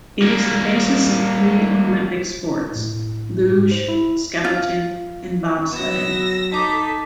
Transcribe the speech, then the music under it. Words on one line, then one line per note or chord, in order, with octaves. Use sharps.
It is the basis of three Olympic sports: luge, skeleton and bobsledding.
G3 A#3
A2
G#2
C5
E4
F4
F#3 B3 E6 A#6
D#4 A4 A5 D6 B6